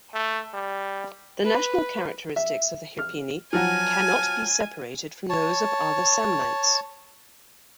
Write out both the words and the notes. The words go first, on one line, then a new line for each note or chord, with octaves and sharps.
The national characteristics of the Hirpini cannot be separated from those of other Samnites.
A3
G3
B4
E5
F6
F3 F#3 F#4 G#5 A5 F6
C#5 A5